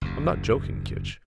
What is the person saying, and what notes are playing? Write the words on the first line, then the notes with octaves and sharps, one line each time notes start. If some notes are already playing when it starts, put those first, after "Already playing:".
I'm not joking, Kinch.
F#1 D#2